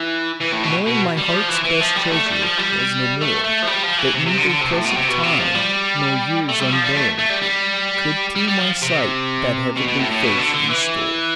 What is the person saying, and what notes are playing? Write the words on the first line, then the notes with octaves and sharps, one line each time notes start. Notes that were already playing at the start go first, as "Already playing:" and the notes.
Knowing my heart's best treasure was no more; That neither present time, nor years unborn Could to my sight that heavenly face restore.
Already playing: E3
E3
A2
B2
B2
G3
F3
E3
E3
F3
G3
A3
G3
F3
G3
A3
A3
F3
G3
F3
E3
C3
C3
D3
D3
C3
A2
B2
C3
B2
C3
F3
G3
A3
G3
F3
G3
A3
A3
G3
G3
G3
G3
F3
C3
B2
B2
A2
A2
B2
D3
D3
E3